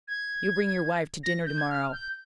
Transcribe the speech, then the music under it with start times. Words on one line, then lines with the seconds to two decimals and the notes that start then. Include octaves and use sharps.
You bring your wife to dinner to-morrow.
0.08 G#6
1.23 A#6
1.46 G6
1.58 G#6
1.70 F6
1.92 G6